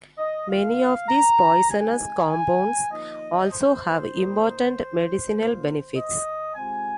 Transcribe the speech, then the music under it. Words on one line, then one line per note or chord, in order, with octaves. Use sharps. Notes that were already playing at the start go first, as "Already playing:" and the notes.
Many of these poisonous compounds also have important medicinal benefits.
D#5
D#3 A#3 F4 F5
A#5
C3 G#3 D#4 G#5
G#5
F3 A#3 D#4 D#5
C5
A#2 A#3 D#4
A#2 A#3 F4
D#5
C3 G#3 C4 F4 G#5